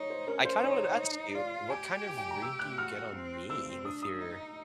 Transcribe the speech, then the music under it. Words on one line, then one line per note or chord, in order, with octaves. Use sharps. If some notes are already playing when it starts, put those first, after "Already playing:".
I kinda wanted to ask you, what kind of read do you get on me with your
Already playing: D#4 C#5
C5
C#4 A#4
C5
D#4 C#5
F4 D5
G4 G#5
G5
G5
A#5
E6
F#6
F#4 F6
C4
C4 E6
D4 D#6
D#6
D#4